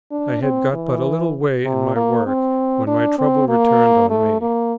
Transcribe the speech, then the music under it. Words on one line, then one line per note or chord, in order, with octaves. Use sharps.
I had got but a little way in my work, when my trouble returned on me.
D4
C4
E3
C3
A#3
C4
D4
C4
A#3
A3
A#3